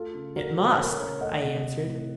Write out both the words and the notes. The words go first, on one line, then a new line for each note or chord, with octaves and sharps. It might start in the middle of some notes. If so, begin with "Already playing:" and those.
"It must," I answered.
Already playing: A3 F4 A4
C#3
A3 F#4 A#4
A#2 A4 C5
D#5
A3 A#4 C#5
C#3 A#4 C#5
A3 D#5 F#5
C3
A3
A2